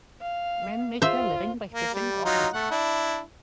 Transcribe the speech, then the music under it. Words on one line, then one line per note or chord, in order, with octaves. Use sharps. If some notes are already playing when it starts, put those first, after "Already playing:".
Men make their living by fishing or hunting.
F5
F4 C5 E5
A#3
G3
F#3 D#4 F4
A3 F#5
D4 E4